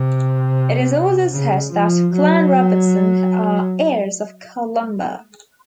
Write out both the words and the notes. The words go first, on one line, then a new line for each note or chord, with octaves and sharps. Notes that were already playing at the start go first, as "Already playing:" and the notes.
It is also said that Clan Robertson are heirs of Columba.
Already playing: C3
C#3
F3
F#3